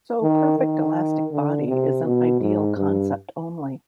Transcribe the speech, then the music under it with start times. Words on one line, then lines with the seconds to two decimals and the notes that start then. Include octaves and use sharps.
So perfect elastic body is an ideal concept only.
0.23 D#3
0.59 D#3
1.32 D3
1.67 C3
2.05 B2
2.40 G#2
2.76 G2